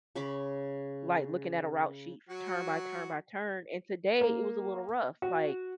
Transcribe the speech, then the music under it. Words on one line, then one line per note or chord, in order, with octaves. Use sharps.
like, looking at a route sheet turn by turn by turn. And today it was a little rough, like,
C#3 B5 C#6 D6
F#3 F#4
A#3
F#4